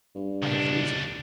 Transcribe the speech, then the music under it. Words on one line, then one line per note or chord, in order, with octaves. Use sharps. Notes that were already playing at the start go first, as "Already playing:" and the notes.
I have reason.
G2
C#2 D4